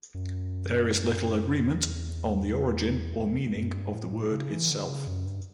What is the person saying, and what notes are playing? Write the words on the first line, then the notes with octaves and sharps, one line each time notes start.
There is little agreement on the origin or meaning of the word itself.
F#2
E2
E2
F#2
G2
A2
A2
C#3
E3
D3
C#3
F#2
G2